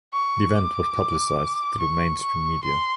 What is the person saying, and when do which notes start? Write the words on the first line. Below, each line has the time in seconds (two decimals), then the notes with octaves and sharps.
The event was publicized through mainstream media.
0.13 C#6
0.56 D6
1.80 C#6
2.21 C#6
2.63 C6